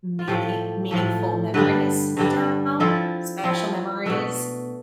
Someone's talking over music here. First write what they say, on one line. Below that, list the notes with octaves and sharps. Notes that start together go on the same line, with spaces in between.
meaning meaningful memories down? Special memories.
F4
A2 F3 A3 G4
A2 F3 A3
G2 D3 G3 D4 B4
G2 D3 G3 D4
F3 C4 E4 A4
F3 C4 E4
B2 A3 D4 E5